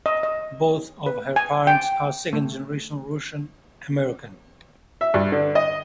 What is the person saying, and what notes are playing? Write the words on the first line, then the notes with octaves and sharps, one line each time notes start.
Both of her parents are second-generation Russian American.
D#5
D#5
B4
G#5
G5
A3
E5
G2
D3
D#5